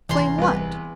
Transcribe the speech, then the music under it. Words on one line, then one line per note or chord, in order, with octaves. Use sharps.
Claim what?
G#1 E2 C3 E3 A#5 C6
C2 B4